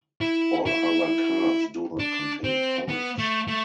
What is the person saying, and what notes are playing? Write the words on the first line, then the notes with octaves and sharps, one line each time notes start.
All other cards do not contain points.
E4
E4
D4
C4
B3
A3
A3